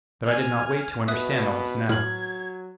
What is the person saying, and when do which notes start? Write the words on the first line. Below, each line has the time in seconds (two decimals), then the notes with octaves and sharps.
But I did not wait to understand all this now.
0.24 G#5 F6
1.08 B2 B4 E5 D#6 F#6
1.89 A2 F#3 F6 G#6 F#7